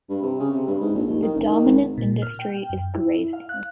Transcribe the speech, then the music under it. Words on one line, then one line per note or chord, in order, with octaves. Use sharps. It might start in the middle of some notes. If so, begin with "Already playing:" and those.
The dominant industry is grazing.
G2
C3
C#3
C3
G2
G#2
A#1
D#2
D#3
F#1
D#3
G#1
A#2
F6
G5
F#2
E4
F5
F#6